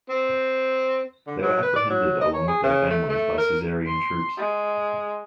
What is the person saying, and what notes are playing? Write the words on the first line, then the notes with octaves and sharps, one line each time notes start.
They were apprehended along with their families by Caesarian troops.
C4
D3
F#3
B4
D5
F#3
D#5
C#5
G#4
C#3
A3
A3
A#4
C6
G#3